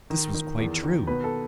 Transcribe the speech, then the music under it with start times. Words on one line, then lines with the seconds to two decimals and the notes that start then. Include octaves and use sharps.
This was quite true.
0.10 D#3
0.34 D#3
0.59 E2
0.83 D#3
1.07 B2 B4
1.24 A4